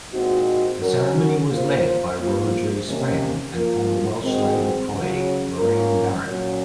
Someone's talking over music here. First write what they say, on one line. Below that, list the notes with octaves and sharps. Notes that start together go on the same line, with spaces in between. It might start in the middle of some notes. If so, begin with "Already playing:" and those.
The ceremony was led by Rhodri's friend and former Welsh Labour colleague Lorraine Barrett.
A#2 G#3 C4 D#4 F#4
F#3 C#4 F#4 A#4
A#3 F4 C5
F3 A#3 F4 C5
C3 D#3 A#3 C#4
F3 A#3 F4 A#4
D#3 G#3 C4 F#4
C#3 F#3 C#4 F#4
A#3 C#4 F4 A#4
A#2 F#3 C#4